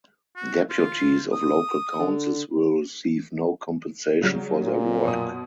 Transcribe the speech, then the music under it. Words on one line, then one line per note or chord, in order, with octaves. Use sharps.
Deputies of local councils will receive no compensation for their work.
F#4
F4
D#6
D3
C#3 F#3 G3
A#2
F#2 B2 D#6